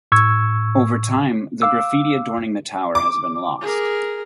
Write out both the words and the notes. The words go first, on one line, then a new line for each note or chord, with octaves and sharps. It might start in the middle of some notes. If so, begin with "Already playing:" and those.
Over time the graffiti adorning the tower has been lost.
A2 C#6 E6 G#6
F5 D6 E6
D6
G#4 A#4